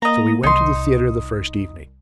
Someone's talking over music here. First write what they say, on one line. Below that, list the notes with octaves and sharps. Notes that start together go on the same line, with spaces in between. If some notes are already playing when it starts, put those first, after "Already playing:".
So we went to the theatre the first evening.
A#3 D#5 A#5
C2 D#4 C6